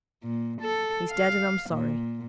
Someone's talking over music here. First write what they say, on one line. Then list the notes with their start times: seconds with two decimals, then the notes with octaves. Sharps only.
He's dead, and I'm sorry.
0.24 A#2
0.62 A4
1.11 F5
1.70 A#2